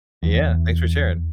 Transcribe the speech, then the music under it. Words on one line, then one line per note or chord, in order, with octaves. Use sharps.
Yeah, thanks for sharing.
E2